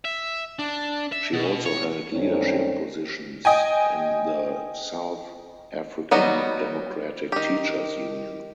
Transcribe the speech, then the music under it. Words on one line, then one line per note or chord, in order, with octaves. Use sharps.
She also held leadership positions in the South African Democratic Teachers Union.
E5
D4
E5
B2
C#5
F#2 D#3 G3 A3 C4 C#4
D#5 G5 G#5
F#3 G3 B3 D#4
D#3 G4